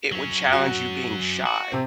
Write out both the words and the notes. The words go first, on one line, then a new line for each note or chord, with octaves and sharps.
it would challenge you being shy,
F#3 C#4
F#4
F#4
C3 C4